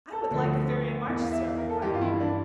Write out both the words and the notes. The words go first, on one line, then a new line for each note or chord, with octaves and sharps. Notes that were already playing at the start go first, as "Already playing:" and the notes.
"I would like it very much, sir," replied Mary.
A4
D2 D3 F3
E2 E3 A#4
F5
E5
F5
A#4
A4
G2 E3 G4
F4
E4
D4